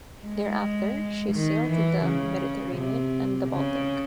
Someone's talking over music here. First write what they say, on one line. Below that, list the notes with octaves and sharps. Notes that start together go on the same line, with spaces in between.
Thereafter she sailed to the Mediterranean and the Baltic.
G#3
D#3
E3
C#3
C3
C#3